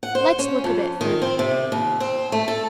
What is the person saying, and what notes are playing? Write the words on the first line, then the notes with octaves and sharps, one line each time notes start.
"Let's look a bit further."
F#5
C5
C#4
F2
D#3
C4
C3
D#2
C4
A3
A4